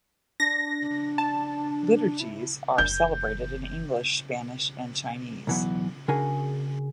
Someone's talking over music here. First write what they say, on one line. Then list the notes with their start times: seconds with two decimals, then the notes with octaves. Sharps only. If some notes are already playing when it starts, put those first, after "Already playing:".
Liturgies are celebrated in English, Spanish, and Chinese.
0.40 D4 A#6
1.18 A5
2.20 E4
2.78 F#1 E3 G6
5.47 B1 E2 E3 F#3 B3
6.08 C#3 D4 F#4 G#4 A#4 G#5